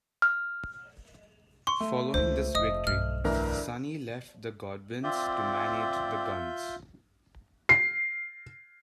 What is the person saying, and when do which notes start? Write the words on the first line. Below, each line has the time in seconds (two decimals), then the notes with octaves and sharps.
Following this victory, Sunny left the Godwinns to manage the Gunns.
0.22 F6
1.67 C6 C#6
1.80 A3
2.14 C#2 D3 C5
2.55 F1 F3 D#5 D#6
2.87 B1 G2 F6
3.24 D2 E3 A#4
5.03 C4 F4 D5 E5 G6
7.69 C7